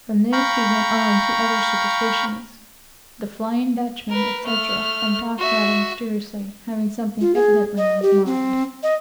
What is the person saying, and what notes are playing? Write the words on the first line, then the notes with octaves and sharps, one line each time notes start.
From this he went on to other superstitions, the Flying Dutchman, etc., and talked rather mysteriously, having something evidently on his mind.
F5 G5 A#5 B5 C#6
A#4 B4
A3 F6
F#4 E5
F4
G#4
D#5
G4
C4
D#5